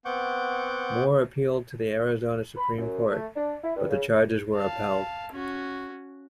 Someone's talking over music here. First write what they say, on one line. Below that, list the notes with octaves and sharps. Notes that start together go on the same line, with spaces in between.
Moore appealed to the Arizona Supreme Court but the charges were upheld.
B3 C4 F#5 C#6 D6 G6
B5
F#2
A3
D4
E4
G2
C#3
F5 A5
C#4 F#4